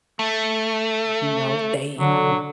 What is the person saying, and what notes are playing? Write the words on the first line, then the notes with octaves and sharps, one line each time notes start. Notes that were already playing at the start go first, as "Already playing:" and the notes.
You know, they
A3
D3 F#3